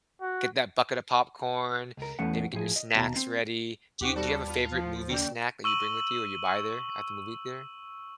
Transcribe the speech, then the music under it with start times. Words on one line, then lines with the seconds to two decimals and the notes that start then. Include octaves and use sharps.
Get that bucket of popcorn, maybe get your snacks ready. Do you do you have a favorite movie snack that you bring with you or you buy there at the movie theater?
0.21 F#4
1.97 C#2 A#4
2.19 E2 E3 A3 B3 C#4 F#5
2.53 A2 F3 G#4
2.76 D#5
2.95 D#2 B2 D4 G4 A5 A#5
3.16 C4
4.01 D#2 C4 D#4 F#4 G4 C5
4.16 G3 F#4 A4 A5
4.47 B3 F4
4.72 F3
5.09 C#3 A#3 D5 G5
5.64 C#6 E6 D#7 F#7